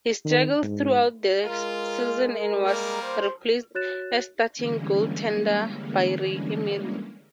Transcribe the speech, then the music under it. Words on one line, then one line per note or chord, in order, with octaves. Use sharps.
He struggled throughout the season and was replaced as starting goaltender by Ray Emery.
D#3
G#2
G#3 F4 A#4
G3 A#3
C5
F#4 C#5 F#6 A6 E7
D3 E3 G3 G#3 A#3 C#4